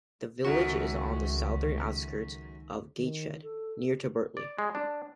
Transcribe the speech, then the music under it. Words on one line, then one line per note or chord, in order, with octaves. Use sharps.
The village is on the southern outskirts of Gateshead, near to Birtley.
C#2 F#2 D#3 A3 C#4 F#4 A#4
D#3
A4
D5
G#3
D4